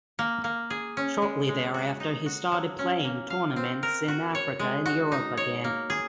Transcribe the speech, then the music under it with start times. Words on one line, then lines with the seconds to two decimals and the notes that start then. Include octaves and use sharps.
Shortly thereafter he started playing tournaments in Africa and Europe again.
0.19 A#3
0.44 A#3
0.70 G#4
0.97 C#4
1.22 G#3
1.49 G#3
1.74 F#4
2.00 D#4
2.26 F#4
2.52 F#3
2.79 C#4
3.04 A#3
3.30 F5
3.56 C4
3.83 A#4
4.08 F#4
4.35 C#5
4.59 G#3
4.86 F#4
5.12 D#4
5.37 C#5
5.64 A#3
5.90 G#4